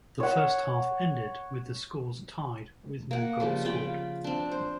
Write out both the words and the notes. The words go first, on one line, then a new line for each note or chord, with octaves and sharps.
The first half ended with the scores tied with no goal scored.
C#5 F#5
A#3 F#5
C#3 F3 G3
C#3 F4 G5 B5
C4 D4
C5